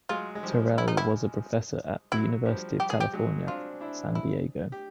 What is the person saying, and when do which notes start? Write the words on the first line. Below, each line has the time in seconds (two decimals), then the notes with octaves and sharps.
Terrell was a professor at the University of California, San Diego.
0.09 F#3 G#3 F4
0.35 G#3
0.43 F3 G3
0.78 E4
0.88 D#4
0.97 E4
2.12 F#3 E4
2.46 F3 G3
2.80 F3 G3 G4
2.90 G#4
3.00 G4
3.13 F#3 G#3
3.47 C4 D4 F4
3.81 D4 E4
4.15 E4
4.72 G4